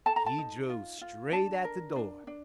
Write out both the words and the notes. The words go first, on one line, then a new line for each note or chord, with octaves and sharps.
He drove straight at the door.
A4 A5
A#5
A5
D#4
F4
F4
D4 A5
A#4
D4
D4